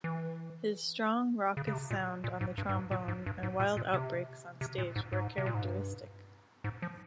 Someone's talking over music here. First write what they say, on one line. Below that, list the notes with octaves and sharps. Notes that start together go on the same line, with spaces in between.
His strong, raucous sound on the trombone and wild outbreaks on stage were characteristic.
E3
C#3
C#3
C3
A#2
A#2
G#2
G2
G2
G#2
A#2
G#2
G2
G#2
A#2
A#2
C3
C3
A#2
G#2
G#2
C3
A#2
G#2
G2
G#2
F3